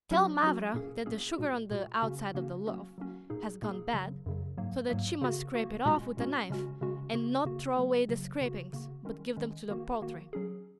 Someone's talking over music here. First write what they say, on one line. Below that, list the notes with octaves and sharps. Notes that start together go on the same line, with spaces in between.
Tell Mavra that the sugar on the outside of the loaf has gone bad, so that she must scrape it off with a knife, and NOT throw away the scrapings, but give them to the poultry.
F#3 C#4 F#4
F#3 C#4 F#4
A#2 A#3 C#4 G#4
A#2 A#3 C#4 G#4
A#2 G#3 F#4
A#2 G#3 F#4
C#3 A#3 C#4 F#4
C#3 A#3 C#4 F#4
F#3 A#3 C#4 F#4
F#3 A#3 C#4 F#4
A#2 A#3 D#4 G#4
A#2 A#3 D#4 G#4
F#2 C#3 F#3
F#2 C#3 F#3
G#2 F#3 A#3
G#2 F#3 A#3
C#3 A#3 F#4
C#3 A#3 F#4
A#2 G#3 C#4 F#4
A#2 G#3 C#4 F#4
C#3 G#3 C#4 F#4
C#3 G#3 C#4 F#4
C#3 A#3 F#4
C#3 A#3 F#4
C#3 F#3 A#3
C#3 F#3 A#3
C#3 A#3 F#4
C#3 A#3 F#4
D#3 G#3 C#4
D#3 G#3 C#4
D#3 A#3 F#4
D#3 A#3 F#4
F#3 C#4 G#4